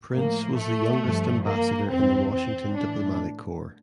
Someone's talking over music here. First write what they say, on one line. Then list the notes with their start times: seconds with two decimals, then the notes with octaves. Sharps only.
Prince was the youngest ambassador in the Washington diplomatic corps.
0.14 A2 F3 A#3
0.58 A3
1.02 G2 F3
1.46 A#3
1.90 F2 E3 C4
2.34 C4
2.77 A2 E3 D4